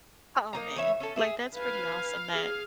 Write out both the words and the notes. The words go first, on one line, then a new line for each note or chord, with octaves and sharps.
Oh, man, like, that's pretty awesome that
A#3 D#4 A#5
E3 C#5 E5
C#4 A4
G#4 E5
B4 F5 G#5
G#4